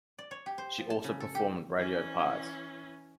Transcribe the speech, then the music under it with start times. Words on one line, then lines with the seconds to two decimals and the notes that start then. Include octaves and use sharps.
She also performed radio parts.
0.19 D5
0.31 C#5
0.46 G4
0.58 C5
0.78 F3
0.90 A5
1.04 C#3
1.20 A4
1.35 G4
1.76 E3 C#4